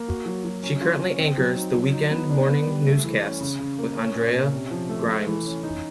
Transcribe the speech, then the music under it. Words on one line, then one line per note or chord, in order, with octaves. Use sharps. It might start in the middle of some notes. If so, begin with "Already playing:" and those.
She currently anchors the weekend morning newscasts with Andrea Grymes.
Already playing: A#3
F#4
F#3
F#3
C#4
F4
C#4
C4
F#3
D#4
F#3
D#4
B3
D4
B3
G3
A3
E3
C#4
C#3
C#3
A#3
C#4
A#2
C#4
C3
F3
A3
A3
E3
C#4
D#4